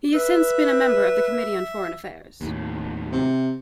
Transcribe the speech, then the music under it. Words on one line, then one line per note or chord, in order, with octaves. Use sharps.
He has since been a member of the Committee on Foreign Affairs.
B4 E5
D#2 A2
C3